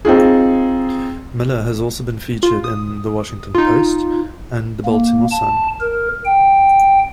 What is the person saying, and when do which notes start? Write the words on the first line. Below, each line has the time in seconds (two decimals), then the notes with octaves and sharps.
Miller has also been featured in "The Washington Post" and "The Baltimore Sun".
0.05 C4 D#4 F4 G#4
2.43 F4
2.64 D#6
3.55 D#4 F4
4.86 A#3
5.31 A5
5.81 A#4
6.25 G5